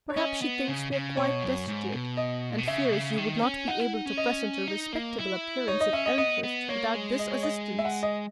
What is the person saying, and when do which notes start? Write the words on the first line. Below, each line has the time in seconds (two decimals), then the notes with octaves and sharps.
Perhaps she thinks we are quite destitute, and fears you would not be able to present a respectable appearance at Elmhurst without this assistance.
0.10 C#5
0.16 C#4 D#5
0.42 B3
0.68 C#3
0.92 C#3
1.17 B2 C#5
1.42 F#2
1.68 G#2
1.93 B2
2.17 D#5
2.50 A#2
2.58 B2
2.68 C#3 E5
2.85 B2
2.93 C#3
3.18 D#3
3.43 C#4
3.68 D#4 F#5
3.80 E4
3.93 D#4
4.06 C#4
4.17 D#5
4.68 D#4
4.93 A#3
5.18 E4
5.68 D#4 C#5
5.81 D#5
5.93 C#4 E5
6.06 D#5
6.18 B3 D#5
6.43 B3
6.68 A#3 C#5
6.94 G#3
7.19 D#5
7.31 C#5
7.43 D#5
7.79 E5
7.85 F#5
8.03 D#5